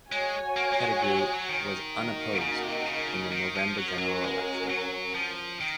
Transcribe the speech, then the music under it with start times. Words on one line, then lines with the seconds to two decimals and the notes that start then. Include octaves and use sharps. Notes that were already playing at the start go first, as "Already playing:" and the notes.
Pettigrew was unopposed in the November general election.
0.11 G#3 F#4 C#5 G#5
0.57 A#3
0.72 A#3
0.80 G#3
1.03 F#3
1.18 G#3
1.33 F#3
1.49 D#3
1.94 A#3 D#4 F#4
2.41 C#3
2.63 C3
2.86 C#3
3.32 D#3
3.55 F3
3.77 F#3 C#4 F#4 A#4
3.88 F3
3.98 F#3
4.24 G#3
4.70 F#3
5.15 F3
5.61 D#3